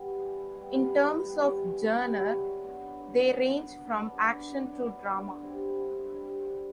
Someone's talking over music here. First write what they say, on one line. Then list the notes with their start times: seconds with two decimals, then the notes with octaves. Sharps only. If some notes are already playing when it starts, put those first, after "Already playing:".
In terms of genre, they range from action to drama.
Already playing: G3 B3 E4
0.21 E3
0.56 G3 B3 E4
0.90 E3
1.24 G3 B3 E4
1.59 E3
1.94 G3 B3 E4
2.29 F#3
2.64 B3 D4
2.98 F#3
3.33 B3 D4
3.68 F#3
4.02 B3 D4
4.38 F#3
4.72 B3 D4
5.07 D3
5.42 G3 C4 E4
5.76 D3
6.11 G3 C4 E4
6.46 D3